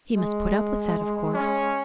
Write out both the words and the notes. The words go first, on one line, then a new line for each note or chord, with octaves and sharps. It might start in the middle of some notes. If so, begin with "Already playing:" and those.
He must put up with that of course.
G#3
C#4